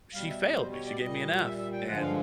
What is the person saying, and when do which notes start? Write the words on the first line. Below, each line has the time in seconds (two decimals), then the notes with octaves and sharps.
She failed me, she gave me an F, and,
0.14 B2 G3 F5
0.29 E5
0.43 D#5
0.57 C5
0.71 C#5
0.86 D5
1.00 A#2 G3 D#5
1.44 E5
1.58 E5
1.73 G5
1.86 G2 D3 F3 G#3 F#5
2.01 F5